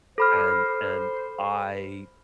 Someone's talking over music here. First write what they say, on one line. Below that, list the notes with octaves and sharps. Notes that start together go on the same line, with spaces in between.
and and I
A4 C5 B5 F6